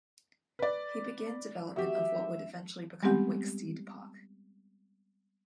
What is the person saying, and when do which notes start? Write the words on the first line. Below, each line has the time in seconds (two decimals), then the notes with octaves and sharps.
He began development of what would eventually become Wicksteed Park.
0.59 B4 D5
1.76 F#4 G4 E5
3.03 G3 G#3 B3 C4 G4 F#5